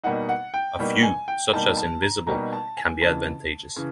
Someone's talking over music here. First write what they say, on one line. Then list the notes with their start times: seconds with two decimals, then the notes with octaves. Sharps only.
A few, such as invisible, can be advantageous.
0.03 B2 G3 A#3 D#4 F#5
0.29 F#5
0.54 G5
0.79 B2 G3 A#3 D#4
1.03 G#5
1.28 G5
1.53 B2 G3 A#3 D#4 A5
1.77 A5
2.02 A#5
2.27 B2 G3 A#3 D#4 A#5
2.53 A5
2.77 G#5
3.01 F2 C#3 E3 A5
3.76 C#3 E3